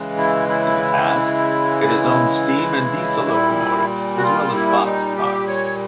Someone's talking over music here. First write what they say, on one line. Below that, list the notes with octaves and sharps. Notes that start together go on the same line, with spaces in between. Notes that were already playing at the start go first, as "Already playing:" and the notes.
In the past, it has owned steam and diesel locomotives, as well as boxcars.
Already playing: C#3 E3 G#3
E4
E4
A#2 G3
F#4
F4
E4
D#4
G4
C#5